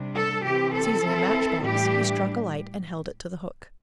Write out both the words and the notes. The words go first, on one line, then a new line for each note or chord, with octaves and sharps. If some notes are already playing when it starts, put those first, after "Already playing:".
Seizing a match-box, he struck a light and held it to the hook.
Already playing: C3 G3 D4
A4
C3 E3 C4 G4
A4
E3 C4 E4
A2 E3 G3 D4 G4